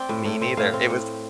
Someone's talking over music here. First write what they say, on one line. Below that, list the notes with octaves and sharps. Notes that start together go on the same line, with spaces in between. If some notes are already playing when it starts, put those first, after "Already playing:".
me neither, it was
Already playing: C4 D5 G5
A2
A2
C4
A2 F5
C4
A2